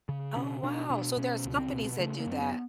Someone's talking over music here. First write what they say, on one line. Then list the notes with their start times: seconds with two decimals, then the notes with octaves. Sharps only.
Oh, wow, so there's companies that do that?
0.09 C#3
0.36 B2 C#4
0.63 B2 D4
0.90 B2 D4
1.17 B2 C#4
1.45 C#2
1.58 C4
1.72 B2
1.99 C#3 A3
2.20 A#3
2.26 F#2
2.32 C4
2.40 B3